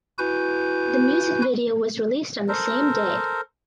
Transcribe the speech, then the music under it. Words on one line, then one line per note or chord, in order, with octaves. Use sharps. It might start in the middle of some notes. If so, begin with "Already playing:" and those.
The music video was released on the same day.
E4 F#4 B4 G#5 G6
A4 A#4 C5